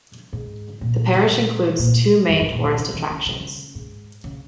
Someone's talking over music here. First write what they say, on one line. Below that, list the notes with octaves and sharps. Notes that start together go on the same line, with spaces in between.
The parish includes two main tourist attractions.
G#2
A#2
A#2
A#2
F#2
G#2
A#2
A#2
C#3
D#3
C#3
C#3
G#2
C#3